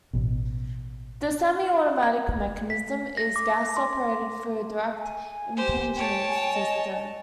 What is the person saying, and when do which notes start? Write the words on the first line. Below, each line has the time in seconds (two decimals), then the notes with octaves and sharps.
The semi-automatic mechanism is gas-operated through the direct impingement system.
0.13 A1 B2
2.03 G#6
2.70 B6
3.17 A#6
3.36 D6
3.77 C6
5.00 G#5
5.57 G4 C5 G#5
5.96 C#5 G5 A5
6.54 D#5